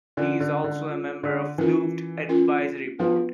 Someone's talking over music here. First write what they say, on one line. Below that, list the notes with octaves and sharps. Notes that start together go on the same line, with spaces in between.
He is also a member of Flooved advisory board.
D3 C#4 F4 A#4
D3
D3
C#4 F4 A#4
D3
E3 C#4 F4 A#4
C#4 F4 A#4
F3 B3 D4 F#4 B4